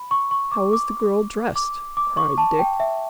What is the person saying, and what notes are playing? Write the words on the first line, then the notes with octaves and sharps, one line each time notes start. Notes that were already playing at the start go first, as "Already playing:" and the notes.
"How was the girl dressed?" cried Dick.
Already playing: B5
C#6
C#6
D6
D6
D6
D6
C#6
A5
G5
E5